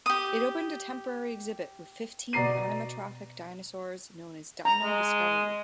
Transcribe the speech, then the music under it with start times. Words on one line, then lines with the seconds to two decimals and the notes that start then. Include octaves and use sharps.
It opened a temporary exhibit with fifteen animatronic dinosaurs known as "Dino Discovery".
0.06 G4 D#6
2.33 B2 D5 A#5 C7 D#7
4.65 A#5
4.83 G#3